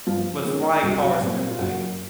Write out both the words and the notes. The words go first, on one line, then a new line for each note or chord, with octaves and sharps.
with flying cars and everything.
G2 F3 F4
D#3 G#3 C#4
C2 F#4
G4
F#3 F#4
A#2 G3 C4
F4
F#1 F#3 F#4